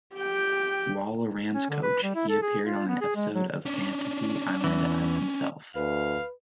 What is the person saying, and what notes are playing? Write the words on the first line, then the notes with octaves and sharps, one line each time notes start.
While a Rams coach, he appeared on an episode of Fantasy Island as himself.
G4 G5
C#4
D3
B4
G3
E4
A4
G#4
F4
B3
G#4
G#3
F#3
C#4 D4
E2 E3
D2 B4 F5